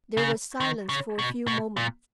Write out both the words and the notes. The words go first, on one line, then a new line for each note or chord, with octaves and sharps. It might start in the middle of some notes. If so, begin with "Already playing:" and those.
There was silence for a few moments.
C#3
D#3
C#3
B2
B2
A#2